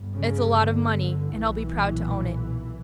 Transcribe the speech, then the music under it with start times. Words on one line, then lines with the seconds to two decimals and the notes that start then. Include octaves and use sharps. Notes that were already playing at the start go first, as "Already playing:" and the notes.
"It's a lot of money, and I'll be proud to own it."
Already playing: G1 G2
0.14 C#3
0.55 D3
1.36 B1 A#2 E3